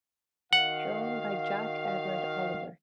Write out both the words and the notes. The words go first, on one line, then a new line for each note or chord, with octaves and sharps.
Drawn by Jack Edward Oliver.
D#3 F#4 F5 F#5